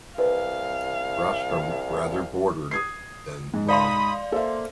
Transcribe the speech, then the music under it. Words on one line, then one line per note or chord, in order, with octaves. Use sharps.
Rostrum rather broader than long.
C2 B4 F5
D#6 G#6 C7
G#2
D5 F5 B5 C6 D#6
A#3 A4 C5 E5